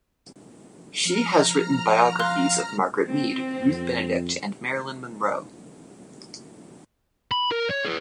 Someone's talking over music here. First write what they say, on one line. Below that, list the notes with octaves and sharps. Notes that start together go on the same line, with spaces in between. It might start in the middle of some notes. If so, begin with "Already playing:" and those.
She has written biographies of Margaret Mead, Ruth Benedict and Marilyn Monroe.
F3 A#5 F6
F5 C6 F#6
C4
F2
B5
A#4
C#5
G#4 B4